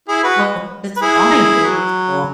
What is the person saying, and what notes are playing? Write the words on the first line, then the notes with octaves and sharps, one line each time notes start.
Well, just drawing things o
E4 G#4
F#4 B4
B4
E4 G#4
F#3